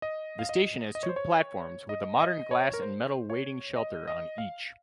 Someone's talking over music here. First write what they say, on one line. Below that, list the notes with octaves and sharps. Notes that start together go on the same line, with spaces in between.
The station has two platforms with a modern glass-and-metal waiting shelter on each.
D#5
F5
D#5
D#5
C#5
C5
C#5
D#5
D#5
C#5
A#4
C5
C#5
D#5
D#5
F5